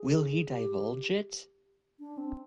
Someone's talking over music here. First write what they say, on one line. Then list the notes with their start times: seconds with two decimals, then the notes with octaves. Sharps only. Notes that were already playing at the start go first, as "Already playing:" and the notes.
Will he divulge it?
Already playing: G#4
0.49 G4
2.00 D4
2.18 C4